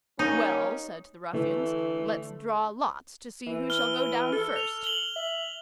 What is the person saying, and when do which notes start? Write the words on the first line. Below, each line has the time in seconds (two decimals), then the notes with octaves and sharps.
"Well," said the ruffians, "let's draw lots to see who shall go down first."
0.19 G3 A#3 C#4 D#4
1.33 D3 E3 A3
3.47 E3
3.70 F6 G7
4.33 A4 F6
4.56 F7
4.84 F#7 G7
5.16 E5